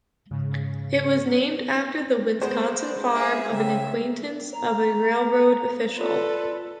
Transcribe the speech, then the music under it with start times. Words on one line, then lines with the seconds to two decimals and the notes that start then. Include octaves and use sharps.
It was named after the Wisconsin farm of an acquaintance of a railroad official.
0.31 G#2 C#3
1.25 F#3
2.42 G#3 B3 C5
3.13 G#4 E5
3.52 C#3 E5 G5
4.53 A#5
5.98 F4 A4 B4 D5